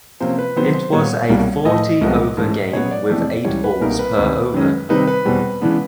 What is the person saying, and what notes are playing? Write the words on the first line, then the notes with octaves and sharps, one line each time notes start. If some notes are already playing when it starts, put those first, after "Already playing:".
It was a forty over game with eight balls per over.
C3 F3 A#3 C#4 C5
B4
C3 D#3 F#3 B3 C5
C5
A#2 G3 B3 C#5
C2 B2 G3 A#3
A2 F3 A3 D#5
C2 C3 F3 G#3 B3
G#2 E3 A3 C#4
C#3 F#3 B3 C#5
D5
F2 C3 E3 A3 D4
C#2 C#3 E3 G3 C#5
B4
C2 B2 G3 A#3 D#4 A#4
B4
D2 C3 D#3
F#2 D#3 G#3 C#4
C3 D#3 G3 C4 D#4 B4
B4
E2 B2 G3 C4
C#3 E3 G#3 B3 D4